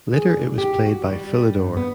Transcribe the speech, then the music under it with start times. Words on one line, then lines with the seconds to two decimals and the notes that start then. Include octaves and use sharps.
Later it was played by Philidor.
0.14 G#4
0.37 D3
0.58 G4
0.86 F#4
1.11 G3
1.57 G2
1.77 B3